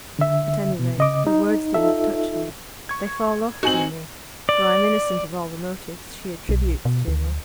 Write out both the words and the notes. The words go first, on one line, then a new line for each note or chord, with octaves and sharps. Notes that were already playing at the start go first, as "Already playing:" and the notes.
'At any rate, her words do not touch me; they fall off from me; for I am innocent of all the motives she attributes to me.
D3 E5
B2
C#3 D#5 D6
D#4
D#4 F4 A4 E5
C#6 G#6
C4 D#4 F#4 G#5 F#7
D5
B1
B2
D2